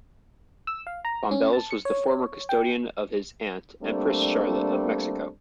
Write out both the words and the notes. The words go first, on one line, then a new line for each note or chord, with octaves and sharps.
Bombelles was the former custodian of his aunt Empress Charlotte of Mexico.
E6
F5
A#5
C#4
A5
C#7
C#5
G5
G3 A3 A#3 C4 D4